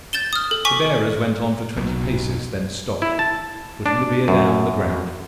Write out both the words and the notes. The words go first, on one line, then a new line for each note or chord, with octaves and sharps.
The bearers went on for twenty paces, then stopped, putting the bier down on the ground.
G6 A6 E7 G7
D#6 F6
A4
G#5 C#6 D6 B6
B1
E4
A5
D4
F#2